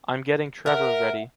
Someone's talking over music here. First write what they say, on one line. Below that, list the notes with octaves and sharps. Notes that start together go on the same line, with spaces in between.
I’m getting Trevor ready!
A#4 E5 F#5